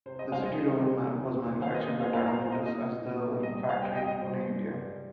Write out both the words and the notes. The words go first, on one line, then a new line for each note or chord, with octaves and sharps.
The CityRover was manufactured by Tata Motors, at their factory in Pune, India.
C3 C5
D#5
G3 C5 F5
D#5
C3
C3
D#3
D#3
A#3 C5 F5
D#5
A#3 D#5
C5 F5
A#2 F5 A#5
F5 A#5
A#2 C5
D#5
A#2 D#5
A#2
C3
G3 D#5
G3 C5 F5
D#5 G5
C3 D#5 G5
D#5
G2 C5
G2
G3